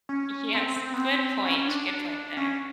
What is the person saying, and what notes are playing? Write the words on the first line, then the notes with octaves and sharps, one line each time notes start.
Yes. Good point. Good point there.
C#4
C4
C4
B3
C4
C#4
C#4
D4
C#4